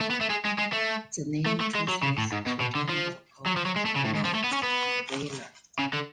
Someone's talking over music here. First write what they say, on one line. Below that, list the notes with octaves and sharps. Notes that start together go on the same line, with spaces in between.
The name translates to "General of Bravery and Valor".
A3
B3
A3
G#3
G#3
G#3
A3
A3
A3
G#3
F#3
C#3
A2
G#2
B2
B2
D3
F3
F#3
F3
F#3
G#3
A3
C#3
A2
G#2
F3
A3
B3
C#4
B3
C#3
D3